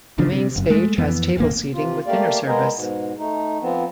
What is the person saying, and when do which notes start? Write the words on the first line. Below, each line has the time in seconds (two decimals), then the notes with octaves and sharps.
The main stage has table seating with dinner service.
0.18 A1 C#3 F3 D4
0.32 C3
0.56 F#1 F#2
0.70 G#3 A3
0.98 F2 E3 B3
1.37 D#1 G#1 D2 A#3
1.73 C3 F4
2.07 A3 A#3 G4 D5 F5
2.46 E2 G#3 B3 G#4 A#4 D#5
2.75 G#2 B2
3.19 A3 D#4
3.62 F3 B3 C4